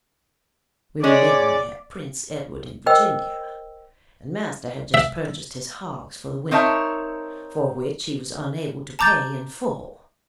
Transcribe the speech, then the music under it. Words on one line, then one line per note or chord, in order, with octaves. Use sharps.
We were living at Prince Edward, in Virginia, and master had just purchased his hogs for the winter, for which he was unable to pay in full.
G#3 C#4 D5 D6
A#4 C5 D#5 G5 E6
E5
C4 D#4 A#4 C#5 E5 A5
A5 A#5 D6 G6 A6